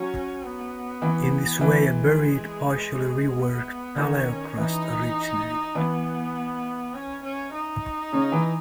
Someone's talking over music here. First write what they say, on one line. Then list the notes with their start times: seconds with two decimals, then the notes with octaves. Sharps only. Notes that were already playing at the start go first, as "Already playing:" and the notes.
In this way a buried, partially reworked paleokarst originated.
Already playing: F#3 C#4 F#4
0.43 B3
1.02 E3 E4
1.61 E3 A3 E4
1.91 G#3
3.39 B3
3.98 D#3 C#4 D#4
4.57 E3 D#4 E4
5.75 E3 B3 E4
6.94 C#4
7.24 C#4
7.54 D#4
8.13 C#3 C#4
8.32 E3 E4